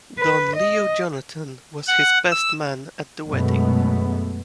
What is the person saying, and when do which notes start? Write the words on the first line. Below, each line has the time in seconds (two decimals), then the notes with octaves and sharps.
Don Leo Jonathan was his best man at the wedding.
0.19 B4
0.56 D#5
1.87 F#5
2.31 E6
3.27 F#2 B2 G#3 A3 B3